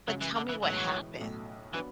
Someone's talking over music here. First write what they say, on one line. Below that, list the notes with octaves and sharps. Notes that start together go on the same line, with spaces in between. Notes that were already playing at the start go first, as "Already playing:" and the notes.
But tell me what happened.
F#2 C#3 F#3 G#3
E3
D3
E3
B1 A2 E3 F#3 G#3 C#4
B1 A2 F#3 A3 C#4
E3 F#3 B3 D4